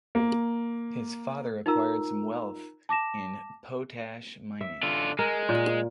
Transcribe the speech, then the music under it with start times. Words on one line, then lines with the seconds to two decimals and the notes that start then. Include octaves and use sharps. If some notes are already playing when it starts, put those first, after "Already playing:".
His father acquired some wealth in potash mining.
0.15 A#3
1.66 D#4 F4 A#4 A#5 E6
2.89 A5 D6 A#6 E7
4.61 E5
4.83 D3 F4
5.19 G#3 A#4
5.49 A#2